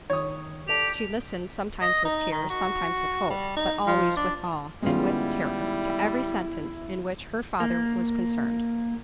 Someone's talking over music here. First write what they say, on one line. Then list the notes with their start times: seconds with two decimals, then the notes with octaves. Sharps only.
She listened sometimes with tears, sometimes with hope, but always with awe, and with terror, to every sentence in which her father was concerned.
0.10 D#3 C#5 D#6
0.68 G4 A4 D5 A5 F7
1.82 D#5
2.05 D#4
2.32 D#3
2.50 F#4
3.30 G3
3.56 D#4
3.87 F3
4.17 D4
4.83 D#3 G3 G#3 B3 C#4 E4 F4
7.60 A#3